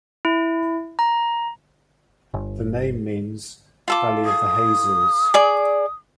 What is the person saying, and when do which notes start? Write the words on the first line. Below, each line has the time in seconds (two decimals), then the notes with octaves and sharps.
The name means 'valley of the hazels'.
0.25 E4
0.99 A#5
2.34 G1
3.88 F4 A4 D6
4.25 D#6
5.34 G#4 D5